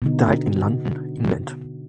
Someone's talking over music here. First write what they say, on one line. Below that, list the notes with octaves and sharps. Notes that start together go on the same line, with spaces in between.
He died in London, England.
B2 D3 D#4